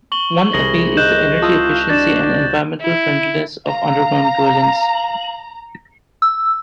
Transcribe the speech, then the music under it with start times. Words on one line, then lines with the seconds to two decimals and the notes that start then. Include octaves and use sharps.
One appeal is the energy efficiency and environmental friendliness of underground dwellings.
0.12 C#6 F#7 G7
0.53 C2 G#4 A#6 F#7
0.97 D#5 F#6 G6 E7
1.42 F4 A5 D#6 E6
1.90 D4 F#4 A6 E7
2.80 E4
3.68 F5 A#5
6.22 E6